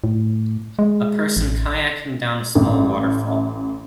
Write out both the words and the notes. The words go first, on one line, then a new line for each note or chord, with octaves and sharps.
A person kayaking down a small waterfall.
A2
G#3
A1
A1